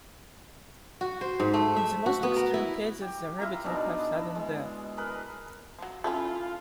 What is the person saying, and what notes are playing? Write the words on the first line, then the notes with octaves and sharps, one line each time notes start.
In the most extreme cases the rabbit will have sudden death.
F#4
C5
G#2
A3
E5
F#4
B3
A#4
E4
G4
E4 F4 F5 A#5
B2 D4 D#4 G#4
E4
G#3
G#4 A#4 B4
F3 F#3
C#4 E4 F4 A4